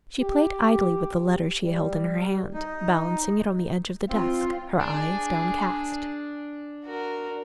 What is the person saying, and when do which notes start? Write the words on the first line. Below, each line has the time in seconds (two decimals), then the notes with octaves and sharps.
She played idly with the letter she held in her hand, balancing it on the edge of the desk, her eyes downcast.
0.22 G4
1.63 G3
2.54 D#4
4.09 C4 F4
4.81 D4 G#4
6.84 F#4 A#4